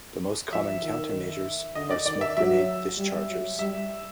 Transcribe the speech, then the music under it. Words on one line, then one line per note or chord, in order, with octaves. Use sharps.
The most common countermeasures are smoke grenade dischargers.
F3 E5
D#3
D3 D#5
D5
D#3 D5
E5
F#3 E5
G3
F#3
G3 E5